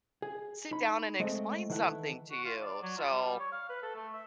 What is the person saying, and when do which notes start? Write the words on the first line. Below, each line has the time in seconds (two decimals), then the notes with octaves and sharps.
sit down, and explain something to you, so,
0.22 G#4
0.71 D#4 B5
1.20 G#3 A3 C4 D#5
1.70 D#3 E3 E4 A4 F#5
2.31 F#4
2.45 F4
2.60 D5
2.82 F#3
2.97 F4
3.11 G3
3.39 C#5
3.52 F5
3.69 B4
3.82 A4
3.96 A3
4.13 E5